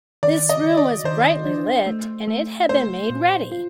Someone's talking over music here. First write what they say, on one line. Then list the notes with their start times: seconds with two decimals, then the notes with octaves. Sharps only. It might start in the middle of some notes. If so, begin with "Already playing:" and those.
This room was brightly lit; and it had been made ready.
0.23 D#3 D5
0.49 D#5
0.64 D#3
0.77 D5
1.04 D#3 C5
1.45 D4
1.86 A3
2.28 A3
2.69 A3 C5
3.10 A#2
3.52 F4